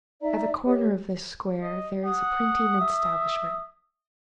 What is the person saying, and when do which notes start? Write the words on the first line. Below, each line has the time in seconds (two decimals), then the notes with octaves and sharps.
At the corner of this square there is a printing establishment.
0.21 D#4 D5 E5 A#5
0.65 G4 C#5 D#5
1.62 D#5
2.04 F#5 D#6
2.81 E5